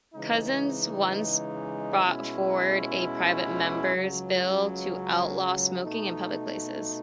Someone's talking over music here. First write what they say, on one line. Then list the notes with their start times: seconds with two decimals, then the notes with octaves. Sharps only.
Cousens once brought forward a private member's bill to outlaw smoking in public places.
0.14 C#3 E3 G#3 D#4
2.03 B2 G#3 C#4 E4
3.93 C#2 C#3 F#3
5.82 B2 A3 D#4